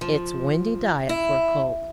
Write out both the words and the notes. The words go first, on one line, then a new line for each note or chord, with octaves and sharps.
It's windy diet for a colt.'
F3
E4